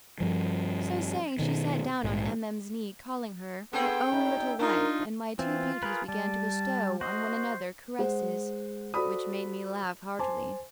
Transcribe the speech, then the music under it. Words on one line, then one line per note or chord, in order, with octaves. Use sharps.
So saying, she sat down on M---- M----'s knee, calling her her own little wife, and my two beauties began to bestow on one another caresses which made me laugh heartily.
G2 F3
B2 D#3
A#1 G#2
B3 C4 G#4 A4 G5
F#2 D#4
D4 D#4 F4 A#4
E3 C4 F4
G#4 A#4 B4
G3 A5
F#4 C5 D#5
G#3 C5 F#5
F#4 A4 C5 D5 B5 D#6
C5 G#5 A5 C6 D6